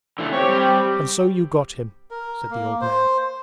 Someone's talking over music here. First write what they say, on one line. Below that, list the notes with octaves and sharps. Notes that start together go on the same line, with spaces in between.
'And so you got him!' said the old man.
D3 E3 A3
C4 G4 C#5
G3
A#4
A#3
C5